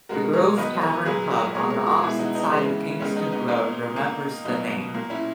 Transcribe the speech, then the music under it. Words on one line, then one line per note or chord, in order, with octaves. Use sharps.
The Grove Tavern pub on the opposite side of Kingston Road remembers the name.
B2 G#3 B3 F#4 A#4
A#4 C#5
D#3 F#3 B3 B4 D#5
A#4 C#5
A#2 F#3 A#3 G#4 B4
F#4 A#4
A#2 G#3 B3 A#4 C#5
A#4 C#5
F#4 A#4
B2 G#3 B3 E4 G#4
D#4 F#4
B3 D#4
C#3 E3 G#3 B3 C#4
B3
D#3 G#3 B3 C#4
B3 D#4
B3 D#4
A#2 A#3 B3 D#4
A#3
D#3
B2 F#3 A#3 B3 D#4
A#2 A#3
C#4 E4